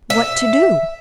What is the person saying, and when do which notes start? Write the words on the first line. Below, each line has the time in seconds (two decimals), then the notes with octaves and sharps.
"What to do?"
0.10 E5